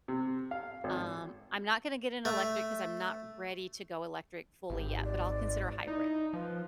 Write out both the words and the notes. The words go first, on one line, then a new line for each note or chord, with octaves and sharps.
Um, I'm not gonna get an electric 'cause I'm not ready to go electric fully yet, but I'll consider a hybrid.
C3
F5
G#1
A3
G#1 G4
D5
D5
D#4 E4
F3 B4